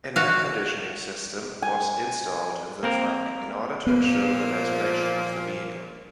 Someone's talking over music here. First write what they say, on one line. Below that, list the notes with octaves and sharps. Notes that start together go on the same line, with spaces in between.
An air conditioning system was installed in the trunk, in order to ensure the ventilation of the vehicle.
F#4 F5
G#5
A#3 C4 A#4
A#2 F3 A#3 B3